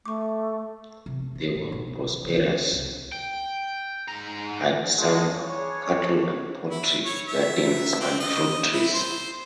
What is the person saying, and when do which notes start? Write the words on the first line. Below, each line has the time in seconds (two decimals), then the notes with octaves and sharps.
They were prosperous, had some cattle and poultry, gardens, and fruit trees.
0.05 A3 C#6 D6
1.06 C3
1.20 G#3
1.35 E3
1.56 A2
1.72 B2
1.87 C2
2.06 E3
2.24 C#3
2.38 A#3
2.71 C2
3.12 G5
4.08 G#2 A#5
4.97 G#3 D#4 F4 F#4 G#4 A4
5.36 G3 D4 G#4 C#5
6.70 E4
7.04 C#5
7.28 E5
8.00 C4
8.20 D#5
8.70 E4
8.94 C5